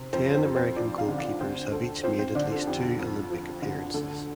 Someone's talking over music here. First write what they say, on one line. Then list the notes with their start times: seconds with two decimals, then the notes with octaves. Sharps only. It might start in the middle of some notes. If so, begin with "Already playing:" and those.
Ten American goalkeepers have each made at least two Olympic appearances.
Already playing: C3
0.13 F2 C4 C5
0.34 C4 C5
0.45 F2
0.55 C4 C5
0.76 F3 D4 D5
0.98 F4 F5
1.09 D3
1.19 D4 D5
1.40 D2 C4 C5
1.72 D2 A4
2.03 F3 C4 C5
2.19 C4 C5
2.35 D3 D4 D5
2.51 A4
2.67 F2 G4
2.99 F2
3.30 F3
3.62 D3
3.94 D2 A4